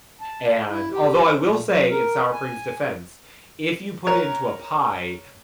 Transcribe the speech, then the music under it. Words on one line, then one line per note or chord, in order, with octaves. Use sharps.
and although I will say in sour cream's defense, if you put it into a pie,
A5
E4
G4
C5
A#2
F#3
A#4
G#5
F#4 A#4 C#5